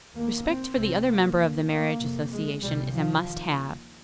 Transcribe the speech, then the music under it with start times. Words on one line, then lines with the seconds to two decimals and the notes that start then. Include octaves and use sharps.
Respect for the other member of the marriage association is a must-have.
0.13 D#2 A#3
0.44 C4
0.75 C2 C3 C4
1.07 A#3
1.39 D#2
1.69 A#3
2.00 F2 C3
2.32 G#3
2.63 C2 C3 G3
2.94 F3
3.25 D#2